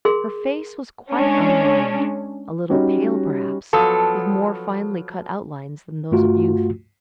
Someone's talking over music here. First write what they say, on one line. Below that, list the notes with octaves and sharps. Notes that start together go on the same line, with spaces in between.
Her face was quite unlined--a little pale, perhaps, with more finely cut outlines than those of youth.
G#4 A#4 C6
G#3 C#4 D4
G3 C#4 D#4 F#4
F3 F#3 B3 A4
G2 A3 F4 F#4